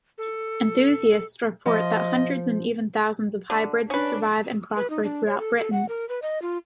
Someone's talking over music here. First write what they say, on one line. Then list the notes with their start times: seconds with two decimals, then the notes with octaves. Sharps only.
Enthusiasts report that hundreds and even thousands of hybrids survive and prosper throughout Britain.
0.18 A4
1.66 F3 D#5
3.50 D3
3.90 C#4 D4 B4
4.77 B4
4.90 D#4
5.03 D4
5.26 C#5
5.39 A4
5.57 A4
5.72 F#5
5.89 A#4
6.09 B4
6.22 D#5
6.42 F4